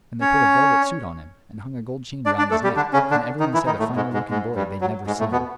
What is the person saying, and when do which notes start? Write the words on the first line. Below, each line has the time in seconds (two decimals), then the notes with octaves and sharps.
And they put a velvet suit on him, and hung a gold chain round his neck, and everyone said a finer-looking boy they'd never seen.
0.21 C#4 C#5
2.26 D4 D5
2.38 D4 D5
2.51 A3 A4
2.64 G3 G4
2.76 D3 D4
2.93 C#3 C#4
3.10 D3 D4
3.40 D#3 D#4
3.54 E3 E4
3.66 D#3 D#4
3.79 A2 A3
3.96 G#2 G#3
4.13 G#2 G#3
4.30 G#2 G#3
4.55 G2 G3
4.81 F#3
5.07 G#2 G#3
5.19 A2 A3
5.32 B2 B3